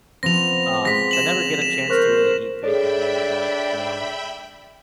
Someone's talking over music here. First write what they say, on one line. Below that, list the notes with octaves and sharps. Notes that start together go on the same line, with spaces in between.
Um, so I never get a chance to really eat bacon really, but, you know.
F3 B3 C4 A#6 F7
G#3 A#6 B6
E7 F#7
E7
A#4 C5 C#6 F#6
D4 G#4 A4 C#5 E5 G5 B5